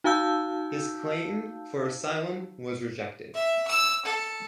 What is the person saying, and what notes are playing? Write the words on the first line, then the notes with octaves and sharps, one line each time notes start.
His claim for asylum was rejected.
D#4 F#4 F5 A5 E6 G6
E5
E6
A4